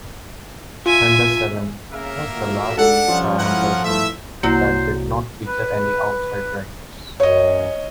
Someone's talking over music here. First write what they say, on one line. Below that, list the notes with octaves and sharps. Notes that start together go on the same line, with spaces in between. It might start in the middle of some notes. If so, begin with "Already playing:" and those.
"Thunder Seven" was the last Triumph album that did not feature any outside writers.
F4 E5 G#5
C#3 A#3 A#4 E5
A#2 A3 F#4
G#2 D4 A4 F#5
F3 G3 C#4
G#3 C#4 E4 A#4 F#5
E3 A3 E5
C2 F#3 A#3 E4 C5
B4
F#2 C#5 D#5